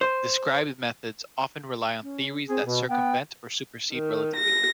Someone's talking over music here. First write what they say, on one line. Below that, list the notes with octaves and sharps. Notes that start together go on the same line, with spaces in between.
Described methods often rely on theories that circumvent or supersede relativity.
C5
C#4
C4 G#4
B2 B3
B3 G5
D#3
A#6